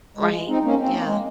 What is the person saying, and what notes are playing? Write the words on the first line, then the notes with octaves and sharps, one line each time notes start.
Right, yeah.
F3 G#3
C4 D#4
A#3 C#4
C4
A#3
G#3